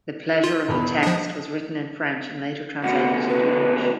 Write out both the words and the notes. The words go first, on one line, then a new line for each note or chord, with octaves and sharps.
"The Pleasure of the Text" was written in French and later translated into English.
F4
E1 E2 B5
F3 D4 D#5
D2 B2 F#5
B4